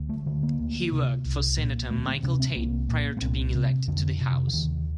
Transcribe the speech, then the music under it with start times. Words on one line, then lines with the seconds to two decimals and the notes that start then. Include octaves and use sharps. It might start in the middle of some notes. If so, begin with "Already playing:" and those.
He worked for Senator Michael Tate prior to being elected to the House.
Already playing: D2
0.09 A3
0.26 D3 A3
0.43 A#3
0.59 D2
0.92 C3
1.25 C2
1.58 A#2
1.90 D2 A3
2.07 C4
2.23 C3 D4
2.40 C4
2.56 C2 A#3
2.89 A#2
3.17 A#3
3.21 C2 C4
3.55 C3
3.88 F2 D3
4.20 C3
4.47 D3
4.53 D#2 D#3